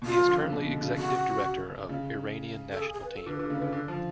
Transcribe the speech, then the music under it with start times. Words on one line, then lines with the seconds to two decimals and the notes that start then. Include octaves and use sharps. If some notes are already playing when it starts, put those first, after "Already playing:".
He is currently Executive director of Iranian national team.
0.02 B2
0.05 C#3 F4
0.18 F3
0.29 D3
0.40 C#3
0.52 B2
0.67 B2
0.82 C#3
0.97 F#4
1.89 C#3
2.72 A4
2.81 G#4
2.92 G#4
3.04 B4
3.15 A4
3.26 D3 B4
3.39 D3
3.50 C#3
3.62 C#3
3.72 D3
3.88 F3